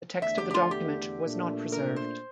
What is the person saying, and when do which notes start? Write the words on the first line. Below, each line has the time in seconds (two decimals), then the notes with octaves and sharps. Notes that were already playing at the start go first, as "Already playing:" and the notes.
The text of the document was not preserved.
0.22 E2 D3 A3 E5
0.38 G4
0.50 G4
0.54 F4
0.71 G4
1.22 A#2 A3 D4
1.72 A#4
1.96 C5